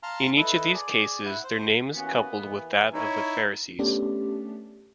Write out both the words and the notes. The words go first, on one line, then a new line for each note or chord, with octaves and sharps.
In each of these cases their name is coupled with that of the Pharisees.
F5 A5 A#5 C6 F6
E4 A4 B4 D#5
G#4 D5
E4 F#5
C5
D#2 E3 A#3 B3 C#4 F#4
E3
D#4 E4 C#5
A3 B3 C#4 D4 G4 D5